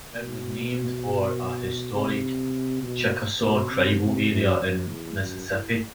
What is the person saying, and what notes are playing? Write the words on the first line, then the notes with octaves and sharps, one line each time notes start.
It was named for a historic Chickasaw tribal area in Mississippi.
B2
C3
B2
B2
C3
C3
F#2
F#2
E2
F#2
A2